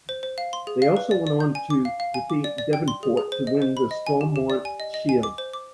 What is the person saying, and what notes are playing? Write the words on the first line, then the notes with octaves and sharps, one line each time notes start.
They also went on to defeat Devonport to win the Stormont Shield.
C5
C5
F5
C6
G#4
F5
B4
D5
D5
G6
G#5
D6
F5
F5
G#5
D6
D5
D5
G5
C6
G#4
G#4
C5
D#5
C5
B5
D#5
G#5
G4
G4
D5
G#5
D#5
D#5
G#5
D6
C5
D6